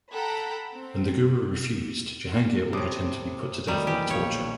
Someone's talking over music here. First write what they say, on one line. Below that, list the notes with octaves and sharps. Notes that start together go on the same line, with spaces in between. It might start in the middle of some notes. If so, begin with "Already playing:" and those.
When the Guru refused, Jahangir ordered him to be put to death by torture.
A4 F#5 G5 A#5 B5
C4
A2 C3 C#5 D6 D#6
D#3 F#3 G3 A3 A#5
E3 G4
B1 A#2 F3 C#5